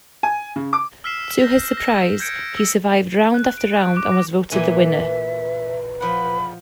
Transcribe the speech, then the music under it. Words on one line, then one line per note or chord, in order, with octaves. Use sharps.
To his surprise, he survived round after round and was voted the winner.
G#5
C#3
D6
E6 F6 B6 C7 E7
G6 A#6
A#6
G6 G#6 C#7 D7
E6 A#6
F#6
D7
C#6
D6
A#6
A#2 E3 B4 E5 G#5
F3 F#5 B5